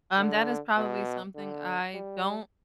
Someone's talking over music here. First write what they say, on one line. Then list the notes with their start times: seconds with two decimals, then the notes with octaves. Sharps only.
Um, that is probably something I don't
0.18 D3
0.77 B2
1.35 D3
1.94 G3